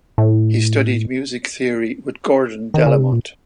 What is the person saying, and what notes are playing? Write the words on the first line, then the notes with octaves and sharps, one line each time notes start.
He studied music theory with Gordon Delamont.
A2
D#3
C#3
C3
A#2